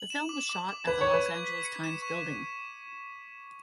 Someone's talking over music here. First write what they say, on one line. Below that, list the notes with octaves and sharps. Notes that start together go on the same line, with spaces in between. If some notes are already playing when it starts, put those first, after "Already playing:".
The film was shot at the Los Angeles Times Building.
Already playing: F#7
E7
D6
D6
D6
B4 G#6
C#5
C#6
B4
G#6
B6
C#7
E7
C#6